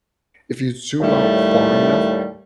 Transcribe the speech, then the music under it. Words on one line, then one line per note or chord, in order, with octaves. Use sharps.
If you zoom out far enough,
D#2 A2 G3 A3